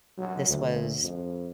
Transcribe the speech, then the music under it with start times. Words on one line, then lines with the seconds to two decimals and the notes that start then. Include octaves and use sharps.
This was
0.18 F#3
0.49 D2
1.02 F2